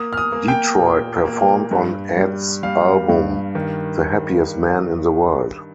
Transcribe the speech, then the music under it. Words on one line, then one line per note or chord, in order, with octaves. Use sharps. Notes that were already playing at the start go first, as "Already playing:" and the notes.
Detroit performed on Ed's album "The Happiest Man in the World".
Already playing: A#3 D#6
F6
D#6
A#3
G5
A#2
A#3
G2
G3
G3 F5
G2
D#3